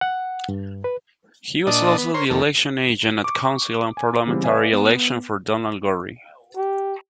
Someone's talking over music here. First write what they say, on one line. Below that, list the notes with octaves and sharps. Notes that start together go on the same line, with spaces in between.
He was also the election agent at council and parliamentary elections for Donald Gorrie.
F#5
G2
B4
A#2 D4 D5 D#5 A5 D#6
B3
A#4 C5 C#5 C6
F2 D#3 A#3 A4
C#6 D6
C#6
G#5
C#3 E3 G3 B3 C4
B4 D5 E5 F5 G#5
B3
G4